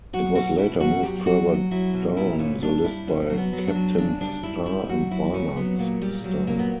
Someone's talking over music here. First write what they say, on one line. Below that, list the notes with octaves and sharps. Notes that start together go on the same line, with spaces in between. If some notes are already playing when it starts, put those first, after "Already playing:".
It was later moved further down the list by Kapteyn's Star and Barnard's Star.
F#3 F#4
B2 F#4
B2 E4
F#3 F#4
F#3 G4
F#3 F#4
F#3
F#3 E4
B2
A#2 E4
A#2 C#4
G3 D4
G3 E4
B2 C#4
F#3
B3
F#3
D4
F#3
C#3 D4
G3 D4
G3 E4
G3 E4
F#3 F#4
F#3 E4
A#2 C#4
F#3 B3
A#2 A#3
A#2 G3
F#3 G3
A#2 A#3
B3